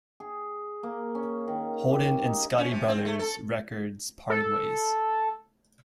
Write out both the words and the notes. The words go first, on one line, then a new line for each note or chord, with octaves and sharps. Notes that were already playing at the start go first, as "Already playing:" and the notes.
Holden and Scotti Brothers Records parted ways.
G#4
A#3
C#4
D#3
G4
D#4
C#4
C3
C4
A3
A4
A4